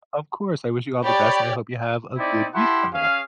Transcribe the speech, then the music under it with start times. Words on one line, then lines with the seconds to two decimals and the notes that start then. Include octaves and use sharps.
Of course. I wish you all the best and I hope you have a good week coming up.
1.05 G4 C#5 D5 B5 C#6
2.17 C4 D#4 E4 D5
2.54 E4 G4 F#5 A5 C6
2.93 C#4 G#4 F5